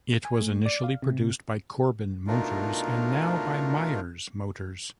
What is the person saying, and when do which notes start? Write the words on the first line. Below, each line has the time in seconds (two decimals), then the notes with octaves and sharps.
It was initially produced by Corbin Motors and now by Myers Motors.
0.25 G#5
0.41 A3
0.66 D5
0.84 F5
1.03 C3
1.21 C3
2.27 B2 A3 D4 D#4 F4 A#4